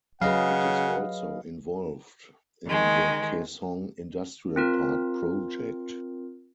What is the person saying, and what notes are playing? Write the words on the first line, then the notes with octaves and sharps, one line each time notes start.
It is also involved in the Kaesong Industrial Park project.
C#3 F#3 G#4 B4 D#5 F5 F#5
D#3 G#3
C4 F4 A#4